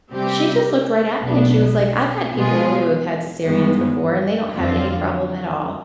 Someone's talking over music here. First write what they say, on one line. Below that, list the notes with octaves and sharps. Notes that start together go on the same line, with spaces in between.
she just looked right at me, and she was like, "I've had people who have had cesareans before, and they don't have any problem at all."
C3 G3 C4 G4
B1 B2 B3 D4
B2 G#3 B3 F4 G#4
G2 D#3 G#3 B3
F2 D3 F3 C4 F4